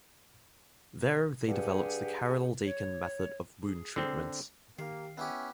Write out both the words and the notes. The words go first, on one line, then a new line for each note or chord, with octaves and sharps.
There they developed the Carrel-Dakin method of wound treatments.
G2 G4 G#4 F#5
C#5
G#4
D3 C4
D#3 A#3 G4 F5
B3 C#4 E4 G4 E5